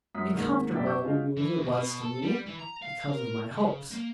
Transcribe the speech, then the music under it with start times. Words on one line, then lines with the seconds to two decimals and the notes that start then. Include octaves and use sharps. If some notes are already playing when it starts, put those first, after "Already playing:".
A comfortable remove it was to me, because of my hopes.
0.15 F#2 D#6 B6
0.32 G#2 D#3 A#3
0.73 A#1 F#2 D5 E5 G5 B6
0.87 C#6 D6 E6 G6
1.03 F4 F#4 G#4 D#5 F5
1.37 E3
1.59 D2
1.72 B2
2.01 A4
2.23 G3
2.47 E3
2.59 A#5
2.82 F5
3.10 A#4
3.51 C#3
3.91 A#3